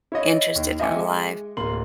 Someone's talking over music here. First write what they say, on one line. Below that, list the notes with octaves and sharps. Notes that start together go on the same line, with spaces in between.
interested and alive.
E4 C#5 D#5
D#2
D#5 E5 G5 G#5 D6 C#7
G#3
D1 A#3 C6 F#7